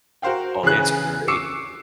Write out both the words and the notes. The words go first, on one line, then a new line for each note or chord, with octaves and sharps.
Oh, that's great.
F#4 A#4 C5 F5 G5
C#3 E3 G#4 F#6
C#6 D6 E6 C7 C#7 E7